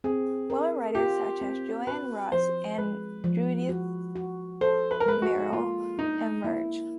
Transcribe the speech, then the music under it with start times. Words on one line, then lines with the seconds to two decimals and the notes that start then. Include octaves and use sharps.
Women writers, such as Joanna Russ and Judith Merril, emerged.
0.04 C4 G#4
0.50 A#4
0.95 F4 G4
1.41 C4
1.87 F#4 B4
2.32 F3 C5
2.78 G#3 B4
3.24 F3
3.69 F#4
4.16 F#4
4.61 A4 C5
4.91 B4
5.00 A#4
5.06 G#3 B4
5.22 F#4
5.53 A#3 F4
5.98 D4 D#4
6.44 A#3 E4